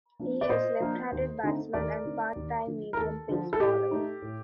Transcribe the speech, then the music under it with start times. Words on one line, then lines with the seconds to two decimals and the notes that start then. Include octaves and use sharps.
He is a left-handed batsman and part-time medium pace bowler.
0.19 F3 A#3 D4
0.41 D5
0.49 A#2 C5 D#5
0.80 F3 A#3 D4
1.12 D#2
1.43 D3 A3 C4 D#4
1.74 D#2 A#4 D5
2.05 D3 A3 C4 D#4
2.36 D#2
2.67 D3 F3
2.93 A#4
2.97 D#2 A4
3.29 D3 F3
3.53 A4
3.60 A2 G4
3.91 A3 D#4
4.22 A2